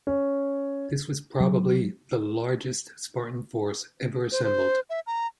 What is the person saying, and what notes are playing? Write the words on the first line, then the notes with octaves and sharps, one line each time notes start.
This was probably the largest Spartan force ever assembled.
C#4
F#3
C5
C5
E5
A#5